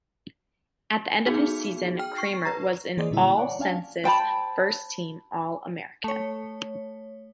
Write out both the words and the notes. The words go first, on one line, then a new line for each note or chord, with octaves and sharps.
At the end of the season, Kramer was an onsensus first-team All-American.
B3 D#4 F#4 G#4
G5 F6
C#6 C7
B4 A#5
E3 A#3 G#4 C5 D5 D#5
A#2 D3 G3 A#3 E4
C#5 D5 F#5
C#4 D4 F5 G#5 A5
C5 G5 A5 B5
A3 C#5